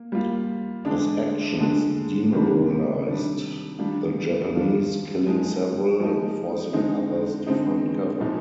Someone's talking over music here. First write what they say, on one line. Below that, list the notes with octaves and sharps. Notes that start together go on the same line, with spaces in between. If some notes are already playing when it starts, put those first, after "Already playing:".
His actions demoralised the Japanese, killing several and forcing others to find cover.
Already playing: A#3
G3 A#3 F4
D3 G#3 D4
D3 G#3 D4
C3 D#3 G3 D4
C3 D#3 G3 D4
D#3 G3 D4 F4
D#3 G3 D4 F4
F3 G#3 D#4
F3 G#3 D#4
D3 G#3 C4 D#4
D3 G#3 C4 D#4
A#2 F3 G#3 D#4